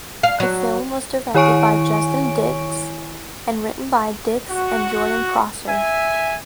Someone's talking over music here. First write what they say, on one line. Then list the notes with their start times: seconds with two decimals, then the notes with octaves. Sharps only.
The film was directed by Justin Dix and written by Dix and Jordan Prosser.
0.23 F5
0.40 F#3
1.35 D#3 E4 C#5 G#5 C#6 D7
4.50 F#4
5.68 E5 G#5